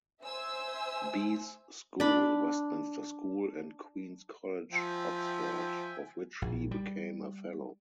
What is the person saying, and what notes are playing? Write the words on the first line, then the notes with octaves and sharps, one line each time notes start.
Bees School, Westminster School and Queen's College, Oxford, of which he became a fellow.
C5 E5 G#5 E6
D4 B5
F3 E5 G5 G#5
A#1
G3